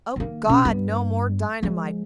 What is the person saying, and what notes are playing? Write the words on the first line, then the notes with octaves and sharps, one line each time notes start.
O God! no more dynamite!
D#3 A#3
B2 C#4
G2 B3
F3 G#3